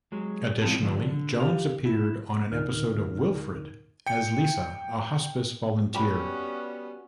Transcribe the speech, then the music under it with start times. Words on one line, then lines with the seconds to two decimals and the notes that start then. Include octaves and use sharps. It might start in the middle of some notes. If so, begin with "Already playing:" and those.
Additionally, Jones appeared on an episode of "Wilfred" as Lisa, a hospice volunteer.
0.12 F#3 G#3
0.62 F3 G#3 C4 C#4 E4 A5
0.81 D3 F3 D4
1.11 D3
1.40 G4 F5
1.85 E4
2.52 D2 A#2 D3 D#4 A#4 F6
4.06 G5 C#7
5.95 G3 B3 C#4 F#4 G4 B5